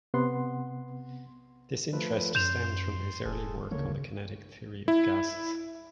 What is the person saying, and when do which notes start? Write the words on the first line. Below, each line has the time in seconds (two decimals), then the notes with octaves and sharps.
This interest stemmed from his early work on the kinetic theory of gases.
0.14 C3 B3 F#5 C6
1.93 F3 A3 B4
2.35 F#2 C6 G6 E7 F7
3.26 E1 G#4 A4
3.71 D2 C#3 A#3 C#5
4.88 E4